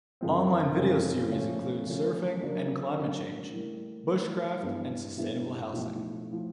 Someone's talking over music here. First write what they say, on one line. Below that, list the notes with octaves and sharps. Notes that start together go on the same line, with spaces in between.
Online Video series include Surfing and climate change, Bushcraft and sustainable housing.
F#2 C#3 F3 G#3 C4
F#2 C#3 F3 G#3 C4
C#3 F3 A3 C#4
C#3 F3 A3 C#4
C#3 F#3 A#3 D4
C#3 F#3 A#3 D4
A2 E3 G3 A#3
A2 E3 G3 A#3
G2 E3 G#3 B3 E4
G2 E3 G#3 B3 E4
B1 A2 F3
A2 F3